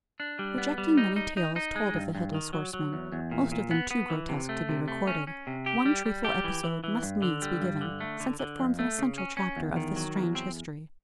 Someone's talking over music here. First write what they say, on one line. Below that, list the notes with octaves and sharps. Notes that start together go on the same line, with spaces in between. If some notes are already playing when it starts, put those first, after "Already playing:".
Rejecting many tales told of the Headless Horseman--most of them too grotesque to be recorded--one truthful episode must needs be given-- since it forms an essential chapter of this strange history.
D4
G3
B3
G3
D#4
D#4
D#4
D#4
G#3
G2
G2
D#3
F#3
F#3
E2
E2
A#2
A#2
B3
B3
E3
C3
A3
C3
A3
C#4
C#4
C3
G4
G3
G3
G4
E3
E3
E3
G2
D3
G3
G2
D3
A3
D3
D3
F2
A3
C#3
C#4
C#4
E2
D#3
F#3
E2
C4